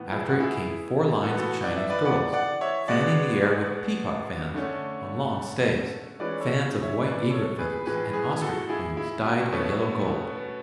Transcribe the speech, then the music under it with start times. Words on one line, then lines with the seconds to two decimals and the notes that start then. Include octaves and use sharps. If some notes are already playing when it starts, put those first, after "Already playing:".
After it came four lines of Chinese girls, fanning the air with peacock fans on long staves, fans of white egret feathers, and ostrich plumes dyed a yellow gold.
Already playing: A2 E3 B3
0.12 E4 G#4
0.28 F#4
0.39 E4 G#4
1.23 E3 A4
1.26 B3 B4
1.37 F#4 A4
1.64 D5
1.76 E5
1.90 B4 D5
2.05 D5 F#5
2.33 D5 F#5
2.61 C#5 E5
2.88 B2 G#3 B3 D5 F#5
4.54 D3 A3 C#4
6.20 E3 G#3 C#4 B4 D5
6.40 A4 C#5
6.82 C#5 E5
7.03 B4 D5
7.30 A4 C#5
7.58 G#4 B4
7.86 A2 E3 G#3 G#4 B4
8.13 G#4 B4
8.30 G#4
8.41 F#4 A4
8.69 E4 G#4
8.97 E4
9.24 F#4
9.52 B2 A3 C#4